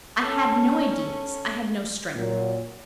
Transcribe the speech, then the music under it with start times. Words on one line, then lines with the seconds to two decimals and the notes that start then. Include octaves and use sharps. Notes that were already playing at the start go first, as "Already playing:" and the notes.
I had no ideas; I had no strength.
0.22 C#4 A4
2.15 A#2 F#3